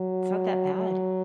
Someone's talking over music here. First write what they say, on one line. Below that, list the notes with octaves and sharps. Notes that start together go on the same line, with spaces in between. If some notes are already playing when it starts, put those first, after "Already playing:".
it's not that bad.
Already playing: F#3
F#3